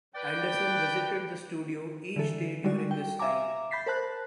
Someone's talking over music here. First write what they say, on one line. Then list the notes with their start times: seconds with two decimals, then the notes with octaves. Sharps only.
Anderson visited the studio each day during this time.
0.15 B4 D5 G5
2.16 D3 E3 A4
2.64 D3 G3 G#3 F#4 D5
2.91 G5
3.19 E5 F5 G#5 A#5 D6
3.71 B5 G6 A6 B6 C7
3.86 A#4 C5 A5 F#6